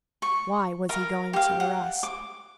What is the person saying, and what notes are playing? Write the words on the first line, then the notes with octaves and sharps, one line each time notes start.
Why was he going to Arras?
C#6
A#4 F5
G4 F5
F#5
D6